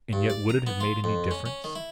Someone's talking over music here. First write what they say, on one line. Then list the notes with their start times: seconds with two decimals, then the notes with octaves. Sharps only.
And yet would it have made any difference?
0.13 G2
0.30 D5
0.49 A#5
0.67 B3
0.81 F4
1.04 F2
1.31 C#4
1.46 C#4
1.64 D#3
1.76 E4